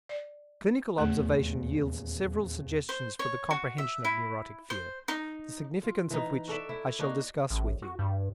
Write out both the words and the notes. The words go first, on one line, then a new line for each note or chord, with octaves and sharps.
Clinical observation yields several suggestions for the comprehension of neurotic fear, the significance of which I shall discuss with you.
D5
D#1 E2 A3 F#7
C5
C#5
F#4
E5
E4
C5
D#4
F4
E3 D#4
F#4 A4 D5 E5
E4
A#3 D4 D#4 F#4
A1
F#4
G2